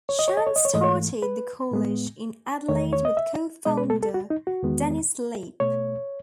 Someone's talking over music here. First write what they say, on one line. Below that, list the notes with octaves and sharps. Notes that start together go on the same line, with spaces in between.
Chant started the college in Adelaide with co-founder Dennis Slape.
C#5
D#5
C#5
D#5
C#5
D#5
C#5
G#2 E3 A3 D#5
C#5
B4
A2 G#3 B3
E2 D#3 A3 C#5
C#5
D#5
E5
B2 G#3 B3 D#5
B4
A4
A4
F#4
D#4
F#4
E2 D#3 G#3 B3
B2 A3 C#5